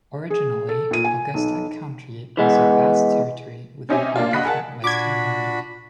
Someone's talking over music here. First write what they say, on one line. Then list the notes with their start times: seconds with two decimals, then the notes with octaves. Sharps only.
Originally, Augusta County was a vast territory with an indefinite western boundary.
0.30 G#4
0.69 A4
0.91 A#2 D#7
1.04 G#5
1.34 B1
2.37 E3 G#3 B3
3.89 C4 C#4 D#4 G4 E5 G#5
4.16 A#3 D4 F4
4.33 G2 D#5 F#5 B5 F#6 B6
4.45 G#4 A#4 F#5 A5
4.84 A#2 D4 F#4 B5 D6 G#6